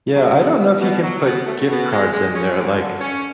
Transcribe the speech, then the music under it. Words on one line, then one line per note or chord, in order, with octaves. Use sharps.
Yeah, I don't know if you can put gift cards in there. Like,
F#3
B2
B2
B2
F#3
B2
A3
B2
G#3
G#3
C#4
D2
D3
C#4